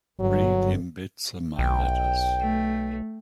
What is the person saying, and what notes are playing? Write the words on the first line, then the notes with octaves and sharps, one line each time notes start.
Read him bits of my letters.
G1 F#3
B1 G5
A3